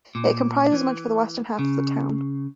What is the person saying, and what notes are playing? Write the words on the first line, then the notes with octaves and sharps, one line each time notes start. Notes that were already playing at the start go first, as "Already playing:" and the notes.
It comprises much of the western half of the town.
A#2
E3
C#3